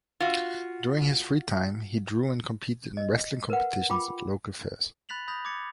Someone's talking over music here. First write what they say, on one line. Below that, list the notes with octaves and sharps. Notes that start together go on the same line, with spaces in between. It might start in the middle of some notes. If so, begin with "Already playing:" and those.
During his free time he drew and competed in wrestling competitions at local fairs.
F4 F#4
D#5
A#4 B4 F#5
F4 G5 B5 D6
B5 F#6 A6 B6 F7 F#7
B5 D#6 F#6 G6 A#6 F7
D6 G#6 A6 C#7